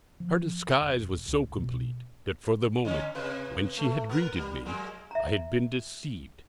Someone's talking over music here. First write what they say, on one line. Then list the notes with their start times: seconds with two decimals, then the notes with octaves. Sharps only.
Her disguise was so complete that, for the moment when she had greeted me, I had been deceived.
0.20 F3
0.81 E1
1.28 C#2
1.57 B2
2.85 D3 C#4
3.15 C3 B4
3.77 A3
4.09 B3 A#4 B4
4.36 G3
4.65 F#3 G#3 A#3
5.11 E5 A#5